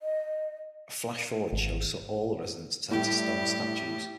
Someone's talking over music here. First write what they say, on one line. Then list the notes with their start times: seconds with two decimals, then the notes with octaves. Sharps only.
A flash-forward shows all the residents turned to stone statues.
0.01 D#5
1.52 G#1
2.91 A2 G3 E4 G4